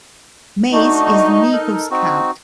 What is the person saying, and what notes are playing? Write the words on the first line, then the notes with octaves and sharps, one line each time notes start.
Mays is an Eagle Scout.
A3 D4 D#4 F#4
A4 A#4
C4 D#4 F#4